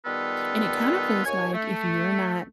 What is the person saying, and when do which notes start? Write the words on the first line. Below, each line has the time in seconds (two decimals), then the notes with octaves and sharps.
and it kinda feels like if you're not
0.05 D#3 G3 B3 F4 A4 B4
1.25 D#2 C#5 G#5
1.53 A3